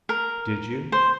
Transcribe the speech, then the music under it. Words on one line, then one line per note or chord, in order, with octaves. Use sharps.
"Did you?"
A#4
C5